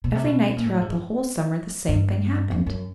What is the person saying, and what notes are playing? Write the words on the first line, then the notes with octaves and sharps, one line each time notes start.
Every night throughout the whole summer the same thing happened.
B2
C3
B2
A#2
A2
G#2
G2
F2
F#2